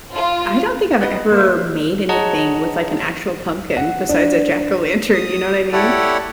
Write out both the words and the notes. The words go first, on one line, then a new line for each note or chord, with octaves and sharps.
I don't think I've ever made anything with, like, an actual pumpkin besides a jack-o'-lantern, you know what I mean?
F4
B3 B4 D#5 F#5
A#3 C5 E5
G#4 C#5 D#5 F#5 A5 A#5
F#5
D4
D#6
E4 G4 A4 C#5 D5 F#5